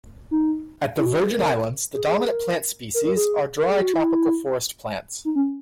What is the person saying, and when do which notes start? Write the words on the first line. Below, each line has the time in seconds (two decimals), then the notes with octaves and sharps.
At the Virgin Islands, the dominant plant species are dry tropical forest plants.
0.31 D#4
0.98 E4
1.06 F#4
1.22 G#4
1.31 A#4
1.95 G#4
2.07 G#4
2.18 G#4
2.29 A#4
2.94 A#4
3.05 A#4
3.16 G#4
3.58 A#4
3.70 G#4
3.81 F#4
3.94 E4
5.25 D#4
5.36 C#4